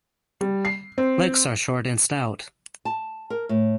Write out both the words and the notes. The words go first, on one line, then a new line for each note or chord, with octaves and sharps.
Legs are short and stout.
G3
C7
C4
A5
A#4
A2